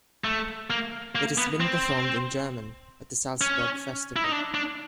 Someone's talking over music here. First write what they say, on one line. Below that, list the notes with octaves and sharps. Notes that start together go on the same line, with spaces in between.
It has been performed in German at the Salzburg Festival.
A3
A#3
A#3
B3
C4
C#4
E4
D#4
D4
D4